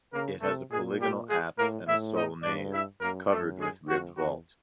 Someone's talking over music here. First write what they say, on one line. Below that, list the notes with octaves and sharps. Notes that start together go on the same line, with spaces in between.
It has a polygonal apse and a sole nave, covered with ribbed vault.
C#3 A#3 A#4
C3 A3 A4
A#2 G#3 G#4
G3 G4
G#3 G#4
A2 A#3 A#4
A2 E4 E5
D#4 D#5
G2 D4 D5
E4 E5
F#2 A#3 A#4
F#2 A3 A4
G#3 G#4
F2 F#4
E2 F#4